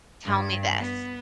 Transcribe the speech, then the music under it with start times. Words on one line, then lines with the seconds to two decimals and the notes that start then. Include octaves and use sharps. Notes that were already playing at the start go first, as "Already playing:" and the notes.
tell me this."
0.23 G2
0.79 B3